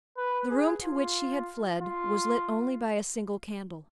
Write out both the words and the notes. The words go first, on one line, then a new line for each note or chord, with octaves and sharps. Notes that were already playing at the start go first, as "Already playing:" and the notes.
The room to which she had fled was lit only by a single candle.
B4
G#4
F4
F4